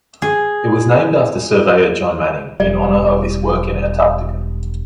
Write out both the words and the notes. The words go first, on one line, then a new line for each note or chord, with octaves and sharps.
It was named after surveyor John Manning, in honour of his work in Antarctica.
G#4
E1 G3 D5